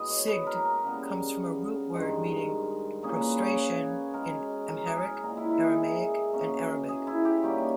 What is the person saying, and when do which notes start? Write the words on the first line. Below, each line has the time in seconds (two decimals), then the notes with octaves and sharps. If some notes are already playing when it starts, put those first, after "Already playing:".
"Sigd" comes from a root word meaning prostration in Amharic, Aramaic, and Arabic.
Already playing: B2 G#3 B3 D#5
0.10 C#5
0.28 B4
0.47 A#4
0.65 A#4
0.84 C#3 G3 B3
1.94 G2 D#3 G#3
3.03 A#2 A#3 C#4 G#4
3.21 B4
3.39 C#5
4.13 B2 G#3 B3 A#4
4.68 A#4
4.86 G#4
5.04 A#4
5.23 A#2 G#3 B3 A#4
5.37 E4
5.51 E4
5.64 G#4
5.78 G#4
6.33 B2 A#3 C#4
6.89 G#4
7.07 E4
7.25 G4
7.42 D#3 G3 A#3 C#4 G4